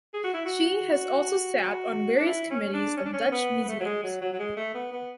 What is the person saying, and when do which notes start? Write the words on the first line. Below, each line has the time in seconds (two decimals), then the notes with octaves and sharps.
She has also sat on various committees of Dutch museums.
0.14 G#4
0.24 F#4
0.34 E4
0.45 F#4
2.17 D4
2.26 E4
2.50 C#4
2.73 D4
2.97 C#4
3.05 D4
3.13 C#4
3.32 B3
3.64 B3
3.68 A3
3.80 F#3
3.85 G#3
4.03 F#3
4.21 F#3
4.33 F#3
4.39 G#3
4.57 A3
4.74 B3
4.92 B3